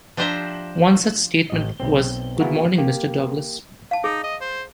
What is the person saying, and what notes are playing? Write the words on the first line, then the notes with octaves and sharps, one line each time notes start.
One such statement was, Good morning, Mr. Douglas!
F3 D4 G4 C5 E5 A#5
A1 D#5
B1 C4
A#3 B3 E4 F#4 G#4 A#4
A#3 G4
F5 A5
D#4 G#4
D#5
C5